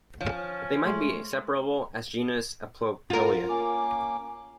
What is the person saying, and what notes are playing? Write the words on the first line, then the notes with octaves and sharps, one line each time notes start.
They might be separable as genus Aplopelia.
F3 C#4 C#5
G#3 A3 E5 C6 C#6
F4 A#4
A#3 C#4 D6